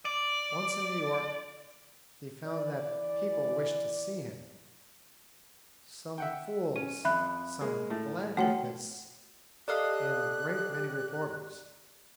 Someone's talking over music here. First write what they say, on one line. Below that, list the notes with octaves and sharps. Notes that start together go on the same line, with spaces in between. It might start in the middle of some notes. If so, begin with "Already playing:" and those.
Once in New York, he found that people wished to see him, some fools, some philanthropists, and a great many reporters.
D5
E3 D5
E5 F#5 G5
C#4 D#7
F2 E5 B5 F#6
G#3 A#3 G#4
A2 A3
F3 A3 F#4 C#5 F#5 G5
G4 A4 D5 D#5 F5 F#6